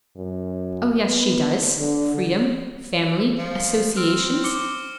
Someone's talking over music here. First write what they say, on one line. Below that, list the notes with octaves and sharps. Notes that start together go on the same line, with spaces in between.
'Oh, yes she does: freedom, family, associations.'
F#2
B3
D3
F3
C4 F6 D7
D6 C#7 G7